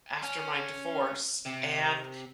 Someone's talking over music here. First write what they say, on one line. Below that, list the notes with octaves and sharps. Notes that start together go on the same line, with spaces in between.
after my divorce. And,
C#4
C3